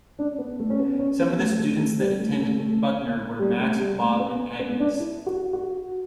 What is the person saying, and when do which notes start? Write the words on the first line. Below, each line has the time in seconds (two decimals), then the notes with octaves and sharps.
Some of the students that attend Buckner were Max, Bob, and Agnes.
0.19 D4
0.38 B3
0.60 A3
0.70 C#4
0.80 B3
0.99 C#4
1.20 B3
1.39 A3
1.59 A3
1.79 A3
1.99 G3
2.19 A3
2.40 A3
2.59 A3
3.39 G3
3.59 A3
3.79 G3
3.99 A3
4.20 B3
4.59 B3
4.80 D4
5.00 E4
5.26 F#4
5.53 F#4